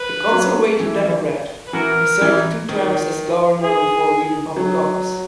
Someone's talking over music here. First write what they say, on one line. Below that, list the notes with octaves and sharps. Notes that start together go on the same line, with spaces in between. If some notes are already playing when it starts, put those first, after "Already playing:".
A conservative Democrat, he served two terms as governor before leaving public office.
Already playing: B4
F#3
E3
B4
E3 F#4 A#4
E3
D#3
G#4
F#3